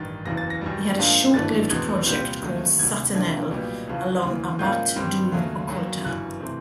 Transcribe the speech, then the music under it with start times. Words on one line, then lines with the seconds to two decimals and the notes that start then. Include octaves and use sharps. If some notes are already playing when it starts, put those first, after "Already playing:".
He had a short lived project called Satanel, along Abbath Doom Occulta.
Already playing: A1 G2 D#3 A6
0.25 F#1 E2 C#3 E3 A#6
0.37 A6
0.50 A#6
0.61 F#2 D#3 G3
0.98 G#2 F3 A#3 D4
1.34 G#1 G2 E3 A3 D4 A6
1.70 E2 B2 G#3 C4 D#4 G#6
2.06 C2 A#2 G3 C4 G6
2.42 D#2 D#3 F#3 A3 C#4
2.79 D2 C3 D#3 G3 G#6
3.14 E2 C3 F3 A3 D4 G#6
3.51 B1 A#2 G3 B3 D#4
3.87 E1 E2 C#3 F3
4.23 D#2 C#3 E3
4.59 G#2 F3 A#3 C#4 G6
4.95 G2 D#3 G3 C4
5.32 D#2 C#3 F#3 A3
5.68 F#2 D#3 F#3 A#3
6.05 G1 F#2 C#3 E3 F#6
6.40 C3 E3 A3 C4